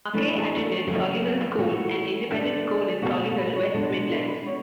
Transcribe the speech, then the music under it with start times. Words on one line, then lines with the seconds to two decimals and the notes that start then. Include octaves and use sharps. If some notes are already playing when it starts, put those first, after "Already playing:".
MacKay attended Solihull School, an independent school in Solihull, West Midlands.
0.13 E3 A3 D4 B4
0.38 G#4
0.62 F#4
0.86 C#3 F#3 A3
1.22 G#4
1.58 E3 A3 C#4 F#4
2.30 D3 A3 D4
3.02 B2 A3 C#4 F#4
3.20 G#4
3.31 A4
3.38 B4
3.56 C#5
3.74 B2 G#3 D4 A4
3.92 G#4
4.10 A4
4.28 B4
4.46 B2 C#5